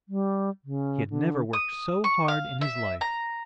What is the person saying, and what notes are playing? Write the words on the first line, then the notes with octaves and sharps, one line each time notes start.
He had never worked so hard in his life.
G3
C#3
D3
D#6
C#6
F5
E5
A#5